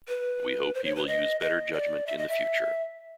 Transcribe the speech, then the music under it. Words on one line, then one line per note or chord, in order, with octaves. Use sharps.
We hope he will use better judgment in the future.
B4
C5
C#5
B4
D#5
D#5
D5
E5
D#5
E5